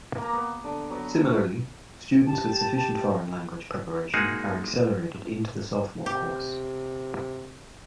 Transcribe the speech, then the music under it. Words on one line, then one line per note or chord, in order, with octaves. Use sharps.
Similarly, students with sufficient foreign language preparation are accelerated into the sophomore course.
A#3 A#5
B3
D3 D6
F#3 B3
C#4 B4
G4 A5
G#3 A#3 D#4 F#4 G#4
C3 G4